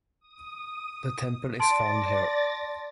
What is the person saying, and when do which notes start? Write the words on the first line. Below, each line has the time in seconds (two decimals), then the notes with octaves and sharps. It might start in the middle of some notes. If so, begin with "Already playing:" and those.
The temple is found here.
0.20 D#6
1.60 D5 A5 C6 A6 A#6 D7